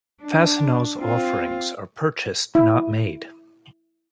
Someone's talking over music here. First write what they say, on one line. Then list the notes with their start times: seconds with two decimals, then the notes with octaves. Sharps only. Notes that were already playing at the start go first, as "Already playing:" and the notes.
Fastenal's offerings are purchased, not made.
0.23 D4
0.99 C4 F4
2.55 E4